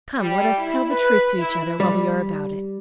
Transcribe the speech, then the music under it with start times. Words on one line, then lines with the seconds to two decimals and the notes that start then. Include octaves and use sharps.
"Come, let us tell the truth to each other, while we are about it."
0.17 G3
0.57 E4
0.90 B4
1.39 E4
1.80 G3